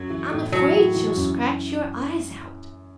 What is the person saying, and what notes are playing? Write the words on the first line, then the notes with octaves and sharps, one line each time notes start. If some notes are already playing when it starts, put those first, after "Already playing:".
"I'm afraid she'll scratch your eyes out."
Already playing: F#2 F#3
E3
A2
E3 F#3
A2
E3
F#2